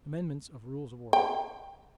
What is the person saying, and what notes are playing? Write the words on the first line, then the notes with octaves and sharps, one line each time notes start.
Amendments of Rules of Order.
G5